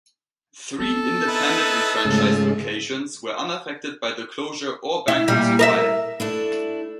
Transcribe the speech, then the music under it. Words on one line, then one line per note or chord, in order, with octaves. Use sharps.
Three independently-franchised locations were unaffected by the closure or bankruptcy filing.
B3 C4 A4
D#4 E4 B4
G#2 C#3 F3 G#3 A3
E4
A#2 G3
A#4 D#5 E5
A3 D4 E4